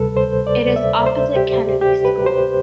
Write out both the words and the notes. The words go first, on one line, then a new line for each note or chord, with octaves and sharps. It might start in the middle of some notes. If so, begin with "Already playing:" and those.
It is opposite Kennedy School.
Already playing: D2 C3 G3 A4 B4
C5
D5
E5
C5
G4
G4
B4
C5